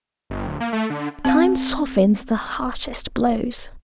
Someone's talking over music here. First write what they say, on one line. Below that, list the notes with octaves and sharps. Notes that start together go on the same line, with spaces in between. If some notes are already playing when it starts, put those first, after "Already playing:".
'Time softens the harshest blows.
G1
D1
A#3
A3
D3
C4 F5